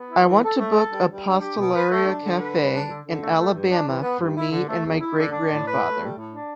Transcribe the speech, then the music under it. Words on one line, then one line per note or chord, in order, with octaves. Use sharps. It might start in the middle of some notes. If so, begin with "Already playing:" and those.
I want to book a pastelaria cafe in Alabama for me and my great grandfather.
Already playing: B3
E4
E3
A4
A3
A4
G3
G3
D4
G4
B2
B4
A3
D4
D3
B4
G3
D4
D3
D3
A3
A3
G2
D4
E3
B3
G2
E4
D3
A3
E2
E4
D3
D4
A2
B4
A3
G3
A2
D4